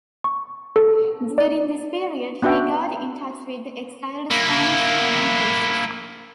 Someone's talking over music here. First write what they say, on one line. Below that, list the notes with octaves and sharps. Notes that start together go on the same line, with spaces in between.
During this period he got in touch with exiled Spanish anarchists.
C#6
A4
D5
B3 D4 F#4 E5 G5
A#3 E4